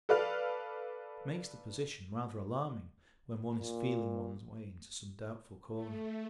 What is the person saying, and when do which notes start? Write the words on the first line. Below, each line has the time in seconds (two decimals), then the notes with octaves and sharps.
It makes the position rather alarming when one is feeling one's way into some doubtful corner.
0.09 A4 B4 D5 F5 F6
3.55 A#2
5.74 A3